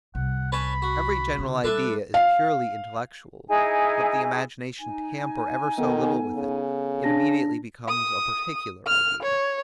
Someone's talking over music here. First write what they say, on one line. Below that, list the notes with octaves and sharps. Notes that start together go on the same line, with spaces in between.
Every general idea is purely intellectual; let the imagination tamper ever so little with it, it immediately becomes a particular idea.
C2 F#5
C#4 B4 A5 B5
F#4
C#3 D#4
G3 D4 A4 B4 E5
F5
D#4 E4 G#4 G#5
D#4 G#5
D#3 B3 A4
C#3
D4 A5 A#6
D#6
F6
C#5